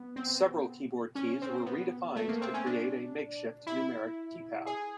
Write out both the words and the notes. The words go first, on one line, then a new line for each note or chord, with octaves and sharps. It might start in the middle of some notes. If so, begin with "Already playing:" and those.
Several keyboard keys were redefined to create a makeshift numeric keypad.
Already playing: B3
C4
C#4
C4
B3
A3
A#3
C4
C#4
D4
E4
G#4